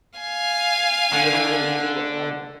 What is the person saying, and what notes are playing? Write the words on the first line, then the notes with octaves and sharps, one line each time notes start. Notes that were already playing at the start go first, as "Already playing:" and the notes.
And they don't really pay well either.
F5 G#5
D3